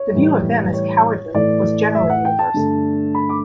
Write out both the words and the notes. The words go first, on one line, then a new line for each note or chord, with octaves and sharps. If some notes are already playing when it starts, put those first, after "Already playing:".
The view of them as cowardly was generally universal.
Already playing: C#5
A2 E3 G3
C#5
A2 E3 A3 D5
E5
F#5
G5
A5
G2 D3 A3
B5
D6